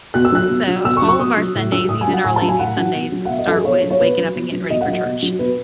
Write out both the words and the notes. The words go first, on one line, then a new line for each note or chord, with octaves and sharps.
So, all of our Sundays, even our lazy Sundays, start with waking up and getting ready for church.
B2 F#6
E6
F#3 F#6
B2
F#3
B2 E6
C#6
F#3
C#6
B2 D#6
F#3
A2
F#3 E6
A2 D#6
G#5
F#3
F#5
A2 G#5
A5
F#3
G#5
A2 F#5
F#3
B2
F#3
F#5
B2 E5
D#5
F#3 A4
G#4
B2 C#5
F#3
C#5
B2 B4
F#3
B2
F#3
B2 D#5
F#5
F#3
D#5
B2
F#3
B2 B4